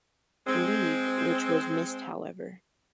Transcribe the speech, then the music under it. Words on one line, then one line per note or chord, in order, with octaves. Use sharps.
League, which was missed however.
G#3 C4